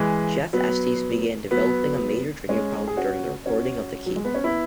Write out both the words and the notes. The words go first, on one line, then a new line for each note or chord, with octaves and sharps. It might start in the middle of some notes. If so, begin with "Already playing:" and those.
Jeff Estes began developing a major drinking problem during the recording of "The Key".
Already playing: E3 G#3
F#3 B3
F#3 B3
G#3 C#4
G#4
C#4 F#4
C#4 F#4
F#3
G#3
B3
C#4
B3 E4